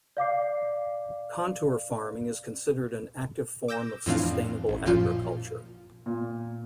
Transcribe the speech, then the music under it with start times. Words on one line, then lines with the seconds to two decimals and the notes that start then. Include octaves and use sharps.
Contour farming is considered an active form of sustainable agriculture.
0.17 D5 F5 D6 C7
3.68 D6 E6 G6 A#6 E7
4.06 F2 A2 E3 C4 D4 F5
4.69 A1
4.85 F#2 A#2 F3 F4
6.06 A#2